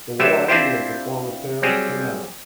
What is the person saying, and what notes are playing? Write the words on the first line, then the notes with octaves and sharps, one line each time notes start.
The war ended before repairs commenced.
F#3 A3 G4 B4 C5 E5
C4 D4 E4 F4 G4 C5
F#3 G3 C4 G4 G#4